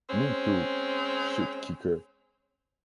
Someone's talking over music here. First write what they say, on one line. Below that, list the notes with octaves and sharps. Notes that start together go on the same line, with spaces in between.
Me too, shit kicker.
G#3 C4 C#4